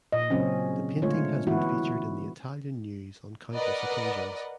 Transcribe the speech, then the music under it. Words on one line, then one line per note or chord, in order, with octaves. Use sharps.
The painting has been featured in the Italian news on countless occasions.
A#2 D#5
C#3 F#3 C4 C#4
D3 G#3 A3 F4 C#5
E3 B3 E4 F#4
A#4 B4 D5 D#5 F#5